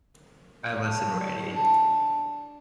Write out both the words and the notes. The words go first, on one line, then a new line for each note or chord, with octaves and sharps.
I wasn't ready.
A2
D4